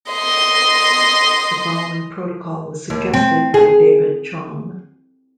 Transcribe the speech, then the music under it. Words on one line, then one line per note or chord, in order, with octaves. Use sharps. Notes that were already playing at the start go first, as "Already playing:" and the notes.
The following protocol was suggested by David Chaum.
D#5 C6
D#2
C4
G#4